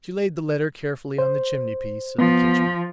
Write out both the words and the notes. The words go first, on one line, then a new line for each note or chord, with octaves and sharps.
She laid the letter carefully on the chimney-piece of the kitchen.
C5
F3 B3